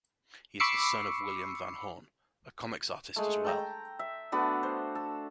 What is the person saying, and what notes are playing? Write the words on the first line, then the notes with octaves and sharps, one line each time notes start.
He is the son of William Van Horn, a comics artist as well.
B5 C#6 D6 E6 C7 C#7
G#3 A3
A4 G5 A#5
E5
A3 B3 D4 F#4
C5
A4